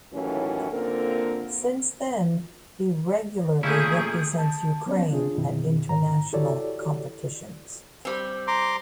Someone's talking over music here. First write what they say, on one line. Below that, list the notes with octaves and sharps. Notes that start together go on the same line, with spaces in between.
Since then he regularly represents Ukraine at international competitions.
D#2 A2 E3 F#3 C#4
D3 A#3 C4 F4 A4 A#4
A#2 A3 C#4 E4 G#4 G6
A5
F#3 B3 C#4 C#5 D5
D4 F4 G#4
F#2 B2 D#3 C4 E4
G#2 D3 A#5
E4 F#4 G4 A4 C#5 D5
G3 C4
A#5 C6 D6